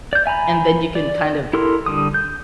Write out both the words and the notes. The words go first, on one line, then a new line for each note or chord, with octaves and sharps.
and then, you can kind of
D5 G6
E5 G#5 A#5 B5
D5
E4 G4 A4 A#4 C6
D3 G3 D#6
G6